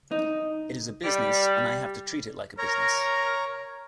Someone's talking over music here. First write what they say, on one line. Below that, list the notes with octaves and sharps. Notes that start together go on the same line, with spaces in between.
It is a business, and I have to treat it like a business.
D#4
G3
A#4 C#5 A#5